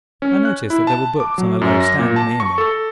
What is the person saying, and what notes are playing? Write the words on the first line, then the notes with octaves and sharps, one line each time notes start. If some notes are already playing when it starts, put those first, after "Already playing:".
I noticed that there were books on a low stand near me.
C#4
F#6
E4
A5
D6
F#3
F#2
A#6
A#2
A5
C#6
A4